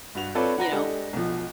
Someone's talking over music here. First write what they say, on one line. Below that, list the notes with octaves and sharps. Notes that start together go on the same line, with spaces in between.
you know
G2 F#4 F7
C4 F4 A4 B4 C#5 D5
F#5 A#5 A#6
G#3 D4 G4 A4
B1 B2 F3